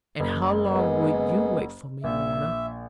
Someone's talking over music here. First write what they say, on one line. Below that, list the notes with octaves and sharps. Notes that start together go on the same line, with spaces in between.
And how long would you wait for me, Lorna?'
F#1
G#3 B3
A#1 E5